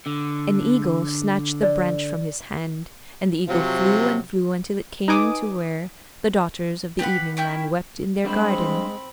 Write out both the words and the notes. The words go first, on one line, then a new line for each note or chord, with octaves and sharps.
An eagle snatched the branch from his hand, and the eagle flew and flew until it came to where the Daughters of the Evening Land wept in their garden.
D3
D5
C3 F3 F#3
D#4 B4 G#5 D6 D#6
G4 B4 F#5 B5
C#4 E4 G5 G6
G3 G#3 C4 D4 C5 B5